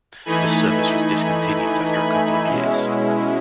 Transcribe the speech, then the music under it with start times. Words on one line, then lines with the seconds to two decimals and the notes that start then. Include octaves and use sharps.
This service was discontinued after a couple of years.
0.25 E3 A3 D#4 G#5 B5
1.92 G#5 B5
2.48 B2 G#3 C#4 E4